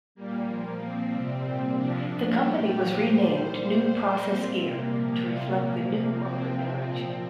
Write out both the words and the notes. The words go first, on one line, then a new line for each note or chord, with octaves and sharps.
The company was renamed New Process Gear to reflect the new corporate direction.
A#2 G3 A#3
A#2 F3
A#2 F3 C4
C3 G3
A#2 G3
C3 F3 D4
A#2 F3
A#2 G3 G4
A#2 F3
A#2 G3 C5
A#2 G3
A#2 G3
A#2 G3 C5
A#2 G3 C4
C3 G3 A#3
A#2 F3
C3 G3
A#2 F3 A#3
C3 F3
C3 F3 C4
C3 F3 C4
A#2 F3